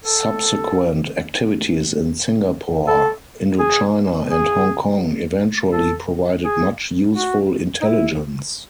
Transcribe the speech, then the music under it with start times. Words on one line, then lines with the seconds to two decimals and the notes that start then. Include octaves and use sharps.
Subsequent activities in Singapore, Indo-China and Hong Kong eventually provided much useful intelligence.
0.03 A4
2.87 A4
3.59 G#4
4.31 G#4
5.72 A4
6.45 G#4
7.15 F#4
7.81 D#4
7.86 E4